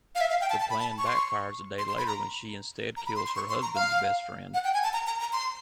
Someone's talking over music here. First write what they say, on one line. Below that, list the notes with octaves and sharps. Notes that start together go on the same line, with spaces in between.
The plan backfires a day later when she instead kills her husband's best friend.
F5
E5
F5
G5
A5
A5
B5
A5
C#6
C6
C#6
C6
C6
B5
A#5
A#5
B5
C6
C6
C#6
C6
A#5
F5
F#5
G5
G#5
A5
A#5
A#5
A#5
C6